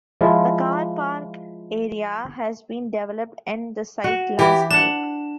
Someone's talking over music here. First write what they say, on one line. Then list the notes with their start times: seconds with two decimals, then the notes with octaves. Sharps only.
The car park area has been developed, and the site landscaped.
0.21 F3 G#3 E4 F4
4.04 F#4
4.39 E3 G4
4.71 D4 F#5 E7